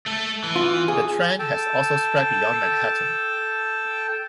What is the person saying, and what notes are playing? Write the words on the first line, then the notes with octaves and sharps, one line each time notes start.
The trend has also spread beyond Manhattan.
A3 A4
E3
F4
G#4
A4 G5 A5